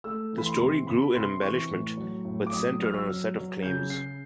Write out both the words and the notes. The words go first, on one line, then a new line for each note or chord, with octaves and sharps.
The story grew in embellishment but centred on a set of claims.
A3 E6
E3
B5
C6
C3
C3 B5
C3 C6
E3 C#6
A2
F#3
A2
D6
F#3 D#6
F#3 F6
E6
F#3
F#3
C#3 G6
C#3 C7